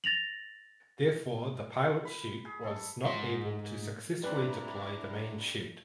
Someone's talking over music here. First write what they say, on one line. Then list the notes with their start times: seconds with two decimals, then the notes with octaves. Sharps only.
Therefore the pilot chute was not able to successfully deploy the main chute.
0.04 A6 A#6 F7 F#7
2.05 B5
2.45 G#4
2.64 A4
3.05 G#2 C6
4.23 G3 C4 D4 E4 B4 A#5